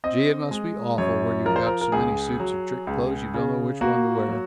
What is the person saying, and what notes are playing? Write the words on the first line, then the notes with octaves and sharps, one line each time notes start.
Gee, it must be awful where you've got so many suits of trick clothes you don't know which one to wear.
C4 D#5
G#3
F#2 C#5
F3 A#4
C5
A#4
A#4
C#2 G#4
F#3
C#2
C#3
A#3 F#4
F#3